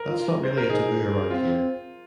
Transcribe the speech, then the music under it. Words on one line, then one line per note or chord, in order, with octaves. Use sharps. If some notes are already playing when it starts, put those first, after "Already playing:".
That's not really a taboo around here.
Already playing: A#4
F4
C5
A#4
D#4 G#4
C4 F4